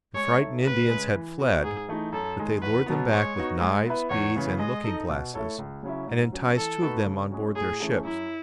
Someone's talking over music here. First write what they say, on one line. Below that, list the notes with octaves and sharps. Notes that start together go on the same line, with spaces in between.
The frightened Indians had fled, but they lured them back with knives, beads, and looking-glasses, and enticed two of them on board their ships.
G#3 C#5
D#4 A4 E5
C#2 B4
C#3 G#3
E3
B3 F#4
G#2 G#4
E3 A3 D#4
F#2 A4
D#3 G#3
E2 B4
B2 F#3 B3
G#3 C#5
B3 D#4 F#4
G#3
B3 E4 B4
E2 C#5
C#3 E3 B3
G#3 D#5
D#4 A4
B2
A3 E4 A4 C#5
C#2
C#3 F#3 C#4 E4
G#2
F#3 C#4
E3 A4
A3 D#4 F#4 B4
C#3
G#3 C#4 F#4
A2 G#4
E3 A3 C#4 G#4
F#2 E4